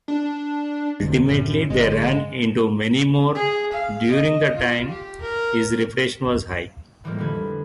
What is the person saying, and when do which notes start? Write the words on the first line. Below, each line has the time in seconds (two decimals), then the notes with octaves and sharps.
Ultimately they ran into many more during the time his reputation was high.
0.08 D4
1.01 F1 D2 C3
1.26 A1 F#2
1.70 G1 G#3
3.35 G#4
3.72 F5
4.10 D#5
4.55 F4
4.89 G4
5.21 A#4
7.04 A2 E3 F3 G3 G#3 A#3
7.18 F2 D3 G4 B4 G#6